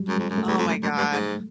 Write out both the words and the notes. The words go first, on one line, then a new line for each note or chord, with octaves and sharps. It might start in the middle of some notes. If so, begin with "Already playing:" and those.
Oh my god.
Already playing: F#3 G3
F#2 G#3
F2
F#2
A3
E2
F2
F#2
F#2
G2
G#2